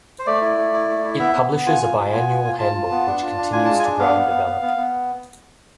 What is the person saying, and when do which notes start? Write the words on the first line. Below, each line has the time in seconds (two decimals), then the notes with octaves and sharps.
It publishes a bi-annual handbook which continues to grow and develop.
0.19 C5
0.26 A3 D5
0.41 E4
0.57 A3
0.73 E4
0.89 A3
1.04 E4
1.19 B3 E5
1.35 B3
1.51 B3
1.66 F4 G#5
1.82 F4
1.97 F4
2.13 B3
2.29 F4
2.44 F4
2.59 F4 A5
2.75 F4
2.91 B3
3.07 D4
3.21 F4
3.37 D4
3.53 F4 G#5
3.65 G#3 A5
3.79 D4 G#5
3.99 B3 F5
4.15 B3
4.30 B3
4.46 B3
4.62 B3
4.77 B3